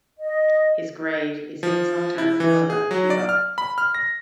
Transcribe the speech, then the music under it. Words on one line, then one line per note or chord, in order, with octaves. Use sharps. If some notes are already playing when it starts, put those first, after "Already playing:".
His grave is in his home town of Noda, Chiba.
D#5
F3
E4
E3
G#4
F#3
D5
F6
B5
F6
A#6